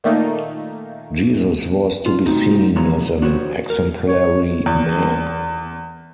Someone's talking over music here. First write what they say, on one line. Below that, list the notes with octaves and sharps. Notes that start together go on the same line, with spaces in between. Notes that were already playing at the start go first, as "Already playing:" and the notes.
Jesus was to be seen as an exemplary man.
A#2 D#3 A3 A#3 D#4
F4
C3 A3 C4 D#4 F#4
B2 E3 F3 C#5 A#5
D4 F#4 G4 C5 C#5
A#4
C#5
E2